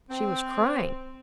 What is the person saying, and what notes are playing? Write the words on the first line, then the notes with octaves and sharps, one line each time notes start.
"She was crying!"
C4